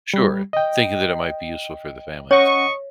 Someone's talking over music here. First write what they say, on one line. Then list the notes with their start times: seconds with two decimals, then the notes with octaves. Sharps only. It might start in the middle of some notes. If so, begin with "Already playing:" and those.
Sure, thinking that it might be useful for the family.
0.14 G3
0.53 D#5 G5
2.31 C#4 C#5 D#5 F#5 C#6